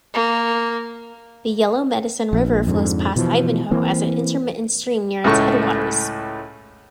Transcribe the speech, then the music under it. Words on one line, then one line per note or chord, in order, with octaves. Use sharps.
The Yellow Medicine River flows past Ivanhoe as an intermittent stream near its headwaters.
A#3
A#1
F2 G#2 D3
B2 E3 F3
E3 A#3 C4
C#2 A2 A3 C#6